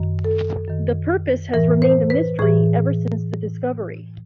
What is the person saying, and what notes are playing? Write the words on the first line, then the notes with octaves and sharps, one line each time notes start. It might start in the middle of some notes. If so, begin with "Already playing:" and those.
The purpose has remained a mystery ever since the discovery.
Already playing: F#2 D#3
A4
F#2 D#3
A2 E3 A#4
C5
B4
A2 E3 G#4